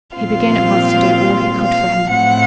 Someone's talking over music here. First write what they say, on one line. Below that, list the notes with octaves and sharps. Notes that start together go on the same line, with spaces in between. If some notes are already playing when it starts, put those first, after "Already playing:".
He began at once to do all he could for him.
A#2 F3 C4 F4 F5
F5
A2 A3 C4 F#5